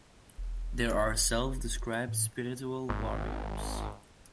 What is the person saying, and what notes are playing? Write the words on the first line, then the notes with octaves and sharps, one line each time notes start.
There are self-described spiritual warriors.
E1
A2
G#1